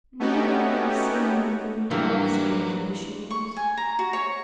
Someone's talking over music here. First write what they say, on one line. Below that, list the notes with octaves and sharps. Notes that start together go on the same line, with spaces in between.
Never had he seen anything half so lovely as she was!
A3 B3 C#4 D#4 F#4 G4
G#2 E3 F#3 G3 A#3 D4 G4
C#6
G#5
A#5
F#4
C#5